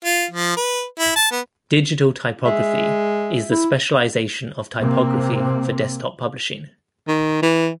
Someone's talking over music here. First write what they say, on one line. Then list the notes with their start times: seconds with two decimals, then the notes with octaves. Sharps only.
Digital typography is the specialization of typography for desktop publishing.
0.05 F4
0.31 F3
0.57 B4
1.00 E4
1.16 A5
1.31 B3
2.46 G#3 E5
3.51 E4
4.82 C3 A#3 C4
7.08 D#3
7.43 E3